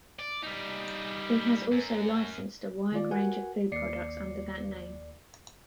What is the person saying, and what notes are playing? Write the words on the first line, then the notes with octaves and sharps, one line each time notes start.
He has also licensed a wide range of food products under that name.
D5
G3 D#4
F#2
D#3 G#3 F4 D5
F#4 A#4 B4 F#5 G#5
D#2 D5 C7 C#7